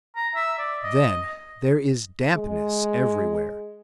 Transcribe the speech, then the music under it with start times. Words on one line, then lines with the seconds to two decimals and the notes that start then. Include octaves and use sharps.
Then there is dampness everywhere.
0.16 A#5
0.36 E5
0.58 D5
0.82 D#5
2.35 G#3